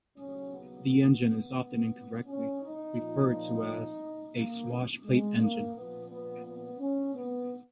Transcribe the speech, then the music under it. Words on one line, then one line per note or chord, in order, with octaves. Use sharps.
The engine is often incorrectly referred to as a swashplate engine.
D#2 C#3 F#3 C#4
B3
C#4
D#4
A#2 F3
A#3
G#3
A#3
A#2 F3 B3
B3
B3
C#4
B3